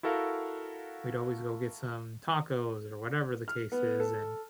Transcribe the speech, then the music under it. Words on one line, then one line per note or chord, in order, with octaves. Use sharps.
we'd always go get some tacos, or whatever the case is, and,
E4 F#4 A4 A#4 F5 F#5
F6
B3
A4